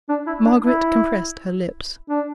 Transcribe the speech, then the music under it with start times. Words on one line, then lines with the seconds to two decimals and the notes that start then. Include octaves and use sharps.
Margaret compressed her lips.
0.09 D4
0.27 E4
0.45 D4
0.63 E4
2.09 D4